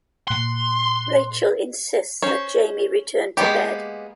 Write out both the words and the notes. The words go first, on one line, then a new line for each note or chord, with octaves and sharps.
Rachel insists that Jamie return to bed.
A#2 C6 F#6 C7
C#4 C5
G#3 A#3 B3 G4